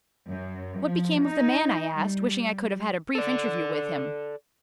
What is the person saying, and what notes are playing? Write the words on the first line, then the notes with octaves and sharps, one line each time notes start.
"What became of the man?" I asked, wishing I could have had a brief interview with him.
F#2
F3
D#4
G3
A4 D5